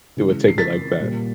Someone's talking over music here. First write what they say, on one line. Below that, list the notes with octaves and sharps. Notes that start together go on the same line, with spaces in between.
they would take it like that.
C#3 E3 G#3
C7
A6 B6
A#2 G3 A#3